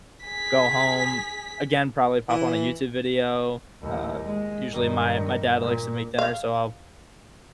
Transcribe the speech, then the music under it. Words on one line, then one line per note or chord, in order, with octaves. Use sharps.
go home, again, probably pop on a YouTube video. Uh, usually my my dad likes to make dinner, so I'll
G#4 B6
E3
D#2 A2
G#3
G2 D#3
A#2
F5